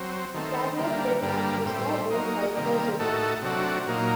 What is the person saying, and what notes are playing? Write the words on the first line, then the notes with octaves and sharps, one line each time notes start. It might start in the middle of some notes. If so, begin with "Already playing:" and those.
The Karrier trademark is now owned by Peugeot.
Already playing: F#3 C4
D#3 A3 C4
D3 G3 A#3
G2 D3 G3 A#3
A2 G3 C4
F#3 A#3 D#4
C3 D#3 G3 A#3
A2 A3 D#4 F#4 A4
C3 F#3 A3 D4 F#4
A#2 F#3 A#3 D#4